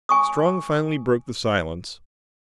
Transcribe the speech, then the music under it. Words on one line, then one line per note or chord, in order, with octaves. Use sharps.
Strong finally broke the silence.
G#5 C#6 D#6